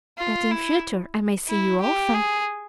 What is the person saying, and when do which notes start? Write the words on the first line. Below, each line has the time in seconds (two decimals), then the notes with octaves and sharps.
"That in future I may see you often."
0.18 F4
0.51 E4
1.49 E4
1.81 G4
2.14 G#4